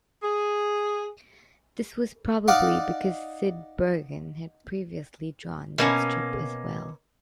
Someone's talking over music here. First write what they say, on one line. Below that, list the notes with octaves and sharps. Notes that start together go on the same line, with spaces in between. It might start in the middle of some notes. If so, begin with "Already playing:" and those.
This was probably because Sid Burgon had previously drawn that strip as well.
G#4
D#4 D5 F5 F#5 D6
B2 A#3 C#4